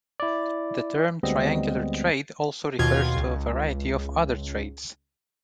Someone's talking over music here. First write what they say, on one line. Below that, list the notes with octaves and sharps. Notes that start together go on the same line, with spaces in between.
The term "triangular trade" also refers to a variety of other trades.
E4 D5
D2 G3 G#3 B3 C4 D#5
D#2 B2 F4 G#6
C#2